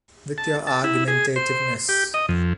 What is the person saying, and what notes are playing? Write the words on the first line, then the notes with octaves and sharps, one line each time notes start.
With your argumentativeness.
A5
A5
E4
G#4
C5
G4
D#5
F2